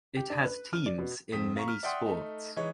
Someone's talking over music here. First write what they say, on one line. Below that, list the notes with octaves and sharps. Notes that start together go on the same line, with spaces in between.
It has teams in many sports.
G4
D4
B4
F6
D5
B2
F1 C4 D#6 B6
F5 A#5 C#6
F6
D5 E5 F#5 G5 C6 D#6
A3 D#4
E3 G#3 D#4 C#5